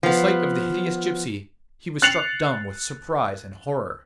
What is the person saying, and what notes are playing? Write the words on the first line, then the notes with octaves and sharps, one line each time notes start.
At the sight of the hideous gypsy he was struck dumb with surprise and horror.
F3 B3
F#6 A6 C7 C#7 F7 F#7